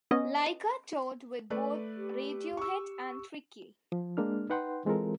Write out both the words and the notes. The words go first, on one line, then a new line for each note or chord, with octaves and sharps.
Laika toured with both Radiohead and Tricky.
B3 C#4 D#5
A3 B4 D5
G4
C#6 E6
F3
G#3 A#3 D4 F6
D#4 B4 F#5 G5 C6
E3 G#3 C4 F4 A4 A#4